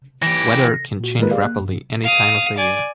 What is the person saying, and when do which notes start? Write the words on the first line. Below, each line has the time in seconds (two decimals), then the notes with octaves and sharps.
Weather can change rapidly any time of the year.
0.22 E3 G4 A#6
1.00 A#2 F#4
1.19 D#3 G#3 A#3 F4 A#4 B4
1.31 G4 G#4 D5 F5
1.45 A#3 F#6
1.61 G2
2.04 F5 D#6
2.57 D5 G#5